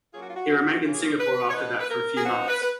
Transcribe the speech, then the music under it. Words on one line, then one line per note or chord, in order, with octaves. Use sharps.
He remained in Singapore after that for a few months.
F#3 A#3 C#4 F4 G#4
F#4
F4
F#4
F#3 A#3 C#4 F4 A#4
G#4
A#4
B4
C#5
F3 B3 D#4 B4
B4
A#4
G#4
F3 B3 D#4 F#4
B4
B4